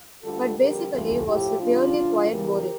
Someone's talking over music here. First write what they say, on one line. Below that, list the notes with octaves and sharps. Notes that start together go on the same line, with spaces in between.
But basically was really quite boring.
D2 D3 G3 F4 A4
F2 D3 G3 G4 A#4
D2 C#3 E3 G3 F4 A4
A2 F3 E4 G4
F2 C#3 G3 D4 F4
D2 C#3 F3
E2 C#3 E3 G4 A#4